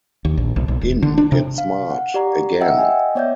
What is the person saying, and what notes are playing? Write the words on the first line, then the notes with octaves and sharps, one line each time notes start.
In Get Smart, Again!
D#2
A#1
B1
B1
E1
D3
D4
C3
F5
F#5
G4 D5 A#5
D#5 E5 F#5 G5 E6
D#5 G5 G#5
B3 C#5 D5 E5 G6